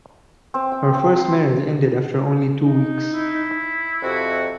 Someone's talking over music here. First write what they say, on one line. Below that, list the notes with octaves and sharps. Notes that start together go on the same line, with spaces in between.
Her first marriage ended after only two weeks.
C4
G5
C4
C6
D#4
E4
F2 C3 F#4